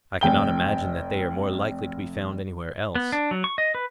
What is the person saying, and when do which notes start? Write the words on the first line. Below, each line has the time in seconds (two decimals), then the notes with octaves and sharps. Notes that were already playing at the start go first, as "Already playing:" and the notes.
I cannot imagine that they are more likely to be found any where else.
0.21 F1 G5 G7
2.95 B3
3.12 D4
3.31 F#3
3.44 C#6
3.58 D#5
3.75 B4